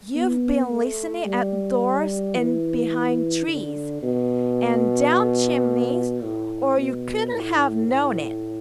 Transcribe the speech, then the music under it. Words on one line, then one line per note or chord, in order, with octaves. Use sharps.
'You've been listening at doors--and behind trees--and down chimneys--or you couldn't have known it!'
B3
A3
G3
E3
D3
B2
A2
B2
A2
A2